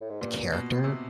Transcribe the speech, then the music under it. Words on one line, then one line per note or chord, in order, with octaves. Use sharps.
the character
A2
G#2
G2 A#2
B2
C3